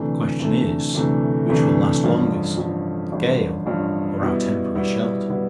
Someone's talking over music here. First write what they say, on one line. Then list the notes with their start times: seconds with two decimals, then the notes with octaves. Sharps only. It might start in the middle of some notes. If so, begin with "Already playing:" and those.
The question is, which will last longest, the gale or our temporary shelter?
Already playing: D2 C3 E3 A3 D4
0.40 D2 C3 E3 A3 D4
0.95 D2 C3 E3 A3 D4
1.49 D2 C3 E3 A3 D4
2.04 A1 G2 F3
2.57 A1 G2 F3
3.12 A1 G2 F3
3.66 A1 G2 F3
4.20 B2 G3 B3 E4
4.75 B2 G3 B3 E4
5.29 B2 G3 B3 E4